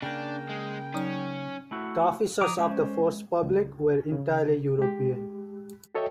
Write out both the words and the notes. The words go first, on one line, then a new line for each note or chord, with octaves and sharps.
The officers of the "Force Publique" were entirely European.
C#3 A#3 D4 G5
G#3
F#3 C#4 D#4
A3 E4 F#4
F3 A#5 D6 D#6
G#3 C#4 C5
C#2
C#3
G#3 G4
F#4 A4 C#5 D#5 E5 G5